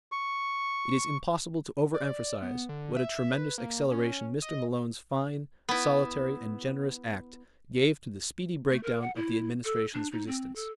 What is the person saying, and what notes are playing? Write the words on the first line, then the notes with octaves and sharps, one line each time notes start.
It is impossible to overemphasize what a tremendous acceleration Mr. Malone's fine, solitary and generous act gave to the speedy break-down of the Administration's resistance.
C#6
D5
B3
D3
E5
B4
A#3
C#4
D#5
B3 E4
A3
A#4
F#5
E4
A4
D4
D#4
C4
A4